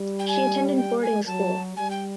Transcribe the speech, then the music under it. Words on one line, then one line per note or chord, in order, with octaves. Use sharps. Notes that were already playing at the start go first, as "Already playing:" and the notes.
She attended boarding school.
Already playing: G3
G5
G#5
G5
G#5
F#3 A5
G3 G#5
G5